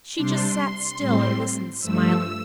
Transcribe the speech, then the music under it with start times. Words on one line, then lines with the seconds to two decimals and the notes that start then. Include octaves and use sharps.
She just sat still and listened, smiling.
0.15 C3 G3 D4 C6
0.98 A2 G3 C4
1.81 G2 F3 A3 E6